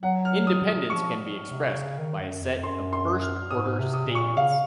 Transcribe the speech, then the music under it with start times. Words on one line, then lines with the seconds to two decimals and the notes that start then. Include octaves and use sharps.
Independence can be expressed by a set of first-order statements.
0.03 F#3 F#5
0.25 F6
0.47 D#6
0.68 D#6
0.89 F3 C#6
1.47 C3
1.77 C#3
1.99 D#3
2.21 F#2
2.41 F2
2.63 F#2 C6
2.93 C6
3.22 F6
3.51 G#2 D#6
3.80 C3
3.94 D#6
4.08 A#2
4.15 C#6
4.37 C#3 F5